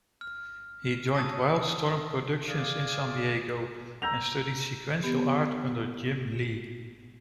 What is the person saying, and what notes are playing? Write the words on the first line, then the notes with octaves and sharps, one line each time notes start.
He joined Wildstorm Productions in San Diego and studied sequential art under Jim Lee.
F6
A5 D#6 E6 A#6
G#4 D5 F5
A#5 E6 G6 A#6 F7
B3 G4